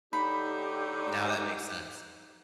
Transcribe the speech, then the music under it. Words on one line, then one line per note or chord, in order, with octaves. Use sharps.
Now that makes sense.
A2 D3 D#4 G4 B5